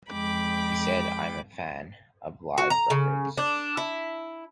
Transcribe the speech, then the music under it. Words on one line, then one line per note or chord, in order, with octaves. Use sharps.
He said, I am a fan of live records.
F2 G#3 G5 B5 D6
F#4
A#5
C#3
D4
E4